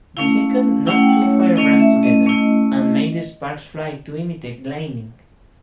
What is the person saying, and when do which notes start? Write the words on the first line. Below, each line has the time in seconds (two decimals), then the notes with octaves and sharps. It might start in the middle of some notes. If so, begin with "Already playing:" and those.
The second knocked two firebrands together and made the sparks fly to imitate lightning.
0.17 A3 C#4 E4 F5
0.86 A3 C#4 E4 F#5
0.98 G5
1.09 F#5
1.22 C#5
1.56 A3 C#4 E4 D#5
1.80 E5
2.03 D#5
2.26 A3 C#4 E4